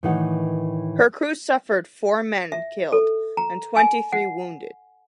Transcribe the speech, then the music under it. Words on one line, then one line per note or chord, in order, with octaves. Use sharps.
Her crew suffered four men killed and twenty-three wounded.
A2 D#3 E3 D#4 B4 F#5
E5
A4
A#5
G#5
F#5